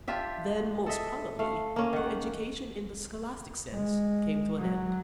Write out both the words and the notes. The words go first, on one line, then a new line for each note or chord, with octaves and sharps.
Then, most probably, her education in the scholastic sense came to an end.
D4 F4 G4 E5
A4 D#5 E5
A3 F5
A#3 C#4
D#3 F#5
G#3
F#3